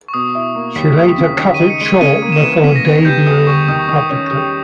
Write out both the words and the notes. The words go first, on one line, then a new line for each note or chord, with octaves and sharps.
She later cut it short before debuting publicly.
C#6
B2 D#6
E4
A#3
D#2 B6
G3
C#3
D#3 B6
D#4 D#7
C#7
G#3 G#6
C#3 D#7
A#3
E7
E3
C#3 B6
A#6
B3 G#6
G3 G6
E2 D#6
G3 C#6
D#3 D#6
D#3 D#6
C#4 D#6
G3 D#6